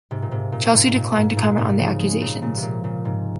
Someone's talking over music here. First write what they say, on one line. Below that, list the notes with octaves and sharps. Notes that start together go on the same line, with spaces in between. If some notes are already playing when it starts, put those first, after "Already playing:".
Chelsea declined to comment on the accusations.
G#2 C3
A#2
G#2 C3
A#2
G#2 C3
G#2
A#2
G#2
G#2
A#2
G#2 C3
C#3 F3
F3 G#3
A#2 C#3
A#2 C#3
C3
A#2 C#3
A#2 C#3
G#2 C3